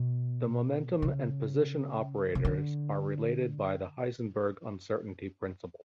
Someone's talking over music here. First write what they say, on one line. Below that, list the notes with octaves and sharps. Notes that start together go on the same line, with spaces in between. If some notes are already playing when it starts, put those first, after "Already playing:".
The momentum and position operators are related by the Heisenberg uncertainty principle.
Already playing: B2
C#3
C#3
D3